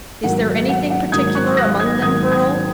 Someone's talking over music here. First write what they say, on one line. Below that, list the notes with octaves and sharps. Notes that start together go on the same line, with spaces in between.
"Is there anything particular among them, Earle?"
G#2 D#3 F#3 A#3 F#5
F#5
F#5
G#2 D#3 F#3 A#3 D#6 G#6
C#6 F#6
F#6 A#6
D#6 G#6
G#2 D#3 F#3 A#3 D#6 G#6
D#6 G#6